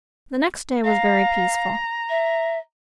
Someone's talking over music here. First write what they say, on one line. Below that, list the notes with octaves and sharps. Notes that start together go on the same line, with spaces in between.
The next day was very peaceful.
F5 A#5
E5